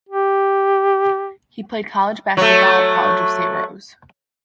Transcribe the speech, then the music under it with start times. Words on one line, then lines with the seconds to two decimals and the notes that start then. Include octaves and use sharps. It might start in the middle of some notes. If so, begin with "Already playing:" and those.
He played college basketball at College of Saint Rose.
0.09 G4
2.37 F#3 A3